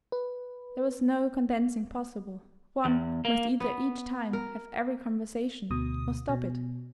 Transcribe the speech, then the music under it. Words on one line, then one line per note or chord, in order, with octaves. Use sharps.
There was no condensing possible; one must either each time have every conversation or stop it.
B4
E2
A#3
B3
A#4
D2 B2 D#6
B2